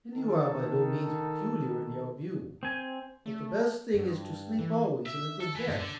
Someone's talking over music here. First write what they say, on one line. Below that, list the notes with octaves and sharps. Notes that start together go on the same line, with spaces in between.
"And you are by no means peculiar in your view; but the best thing is to sleep always in a good bed."
D#3 A4
C4 G#5
A3
G2
E3
E5
A4
E3
G2
D3